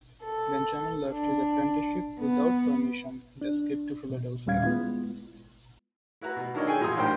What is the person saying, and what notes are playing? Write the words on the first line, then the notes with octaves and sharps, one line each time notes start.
Benjamin left his apprenticeship without permission and escaped to Philadelphia.
A4
D4
B3
D4
B2
D#2 A#2 G3 C#4 F5 G#6
G#3 B3 E4 F4
E4 F#4 B4 A#5
B2
D#3 D4 E4 A#4 C#5 D#5
G#4 A4 C#5 G5 G#5
F#2 A#2 E3 C6 D#6 E6
A1 D4 A#4 C5 G5